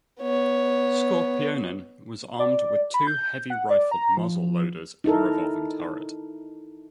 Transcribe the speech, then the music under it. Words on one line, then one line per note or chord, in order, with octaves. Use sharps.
"Skorpionen" was armed with two heavy rifled muzzle-loaders in a revolving turret.
B3 C#5
D5
B5
G6
F#5
D5
A#5
F3
D#4 E4 A4 A#4